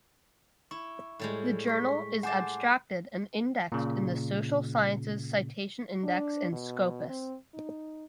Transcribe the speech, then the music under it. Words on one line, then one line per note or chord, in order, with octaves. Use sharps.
The journal is abstracted and indexed in the Social Sciences Citation Index and Scopus.
E4 C#6
A2 G3 G#3
C#6 B6
C5 F#5 G#5 A5 D6
A#2 C#3
D4
B2
C4
D#4